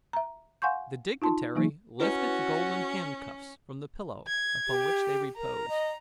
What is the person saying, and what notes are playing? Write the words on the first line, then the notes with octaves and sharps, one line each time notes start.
The dignitary lifted the golden handcuffs from the pillow upon which they reposed.
E5 A#5
F5 F#5 G#5 C6 C#6 G6
D#4 F4 A5 C6
E3 F#3 A#3 D#4
C#4 E4 F#4 B4 D#5
G#6
G4
A#4 A#5
D#5